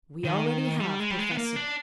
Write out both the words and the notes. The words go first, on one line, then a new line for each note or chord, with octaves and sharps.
"We already have, professor."
D#3
G3
G#3
G3
G#3
B3
A#3
D4